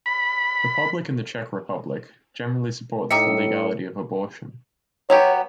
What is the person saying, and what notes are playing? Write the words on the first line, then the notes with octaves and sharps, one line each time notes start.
The public in the Czech Republic generally supports the legality of abortion.
B5
A2 D#4 G4 E5 C#7
F#3 B3 G4 C#5